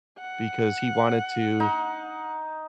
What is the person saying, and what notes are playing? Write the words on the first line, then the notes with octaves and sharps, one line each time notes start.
because he wanted to
F#5
D#4